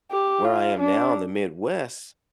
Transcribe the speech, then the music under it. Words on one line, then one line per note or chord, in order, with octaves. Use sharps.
where I am now in the Midwest,
G4
F4
D4